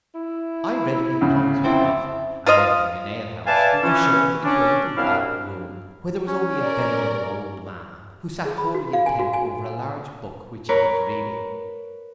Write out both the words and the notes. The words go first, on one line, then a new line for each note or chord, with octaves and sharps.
I readily closed with the offer, and entering an ale-house, we were shewn into a little back room, where there was only a venerable old man, who sat wholly intent over a large book, which he was reading.
E4
D2 C#3
C4 E4 A4 D6
F4 C5 D#5 F5
B4 D5 E5 F5 G#5 A5
E3 C#4
C#4 D4
C2 F#2 C4 D4 E4 F5
C#4
A#4 D5
G#4
B5
F#4
F5
G#5
F#4
G#5
A#4 B4 C#5